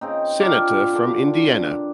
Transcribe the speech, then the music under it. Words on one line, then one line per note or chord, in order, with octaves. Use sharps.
Senator from Indiana.
C#3 C4 D#4
D4 F4 G4 A#4
D3 D4